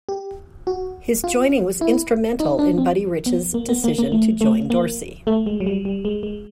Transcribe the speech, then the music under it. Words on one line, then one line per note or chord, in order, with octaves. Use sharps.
His joining was instrumental in Buddy Rich's decision to join Dorsey.
G4
F#4
F4
E4
D#4
D4
C4
B3
A#3
B3
A#3
A#3
A3
A3
A#3
A3
G#3
F#3
G3
G3
G#3
G#3